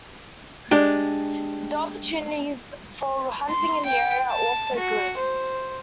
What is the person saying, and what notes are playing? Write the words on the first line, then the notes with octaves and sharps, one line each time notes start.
The opportunities for hunting in the area are also good.
G#3 D4 G4
C6
G5
A5
F#4
C5